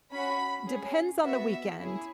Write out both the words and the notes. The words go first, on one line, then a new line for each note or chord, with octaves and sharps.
depends on the weekend,
C#4 F#4 B5
C#4 G#4
B3 F#4 E5
C#4 E4 G#4